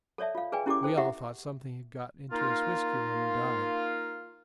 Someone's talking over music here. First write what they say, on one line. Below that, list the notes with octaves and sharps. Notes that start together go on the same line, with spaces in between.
We all thought something had got into his whiskey-room and died.
A4 C#5 D5 E5 A5
F4 F5
G#4 B4 D5 G5 G#5
C#4 E4 G4 A4 D5 D6
D#4 A4 C5 G5
E4 G4 D#5 E5 F#5
A#3 D#4 F4